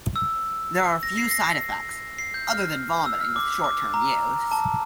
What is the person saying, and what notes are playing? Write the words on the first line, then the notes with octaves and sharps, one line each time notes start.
There are few side effects, other than vomiting, with short term use.
E6
A#6
C7
A#6
C7
G6
F6
E6
F6
D6
D6
A#5
A5